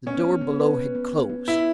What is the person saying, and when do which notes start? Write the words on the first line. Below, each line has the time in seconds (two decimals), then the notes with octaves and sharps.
The door below had closed.
0.06 B3 C#4
0.24 B3
0.41 B3
0.60 B4
0.77 B3
0.95 B3
1.12 B3
1.30 B3
1.47 E4 B4